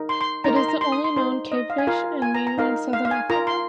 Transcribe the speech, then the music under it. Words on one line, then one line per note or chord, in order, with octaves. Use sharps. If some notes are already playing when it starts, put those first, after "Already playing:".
It is the only known cavefish in mainland Southern Africa.
Already playing: D#4 A#4
C6
C6
D#4 A#4 A#5
C6
A#5
C6
D#6
C6
D#4 C5 C6
D#5
F5
G#5
F4 A#4 F5
G#5
A#5
A#5
D#4 A#4 F5
F5
F5
G#5
F4 A#4 A#5
C6